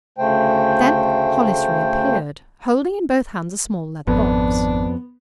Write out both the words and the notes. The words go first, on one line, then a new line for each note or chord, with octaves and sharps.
Then Hollis reappeared, holding in both hands a small leather box.
D2 C#3 A3 C5 G5
G#1 F2 B3 D4